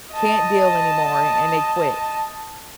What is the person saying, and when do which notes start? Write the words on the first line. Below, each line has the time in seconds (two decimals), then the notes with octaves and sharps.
can't deal anymore, and they quit.
0.12 D#5 A5